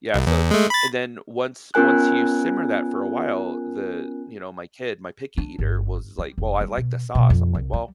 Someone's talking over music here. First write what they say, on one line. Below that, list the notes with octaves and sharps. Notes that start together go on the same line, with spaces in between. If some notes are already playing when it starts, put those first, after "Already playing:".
Yeah, so, and then once once you simmer that for a while, the, you know, my kid, my picky eater was, like, "Well, I like the sauce," I'm, like, "Well,
C2
E2
G#3 A3
B5 A6
B3 C#4 F4 A#4 G#5 F#6
D4
G1
G3
F1
G3
B2
B2
F2
C2
G3